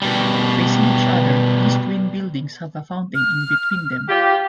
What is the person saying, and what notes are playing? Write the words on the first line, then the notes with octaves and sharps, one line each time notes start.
Facing each other, these twin buildings have a fountain in between them.
B2 G3
F6
F4 G4